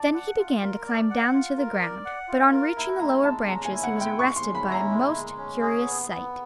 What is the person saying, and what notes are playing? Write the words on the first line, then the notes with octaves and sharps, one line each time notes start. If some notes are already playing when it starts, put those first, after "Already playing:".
Then he began to climb down to the ground, but on reaching the lower branches he was arrested by a most curious sight.
Already playing: D5 A5
F#5
F4
A#4
D5
F#5
F4
A#4
D5
F#5
F4
A#4
E4 A#5
G#3 A#5
G#3 A5
C#4 A#5
G#5
E4
F#5
G#3
G5
G#3 C#6
C6
C#4
B5
E4 A#5
G#3
G#3
C#4
G#4
B3
B3